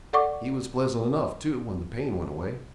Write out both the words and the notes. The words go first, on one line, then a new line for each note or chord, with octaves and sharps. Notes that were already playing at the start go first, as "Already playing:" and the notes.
He was pleasant enough, too, when the pain went away.
A4 D5 F#5 C#6 D6